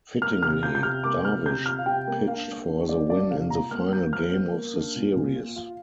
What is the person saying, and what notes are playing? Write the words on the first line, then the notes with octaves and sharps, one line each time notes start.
Fittingly, Darvish pitched for the win in the final game of the series.
A#3 F6
C3 F6
F4 G6
G6
C3 F6
A#3 D6
C3 F6
C3 G6
F4 F6
F5
C3 G5
A#3
D4 F5
A#3
D4
A#3 D5
D4 D5
C3 F5
A#2 A#5
A#3 F6
A#3 G6
F3 F6
A#3
A#3
D4
A#2
A#2
F4
F4